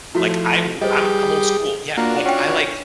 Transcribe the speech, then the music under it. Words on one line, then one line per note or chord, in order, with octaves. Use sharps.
Like, I wo I'm I'm old school. Yeah, like, I like
F3 A3 E4 F#4
G3 G4 G#4 B4 C5 D#5
A#3 D4 F4 F#4
C#4 F#5 G5